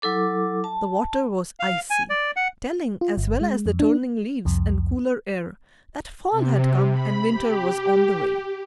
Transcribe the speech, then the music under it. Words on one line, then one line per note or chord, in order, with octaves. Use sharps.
The water was icy, telling, as well as the turning leaves and cooler air, that fall had come and winter was on the way.
F#3 E4 A4 D6
A5
F5
G#5
D5
F#5
F4
G1
G#3
F2
D4
C2 F2
C3
B5
G4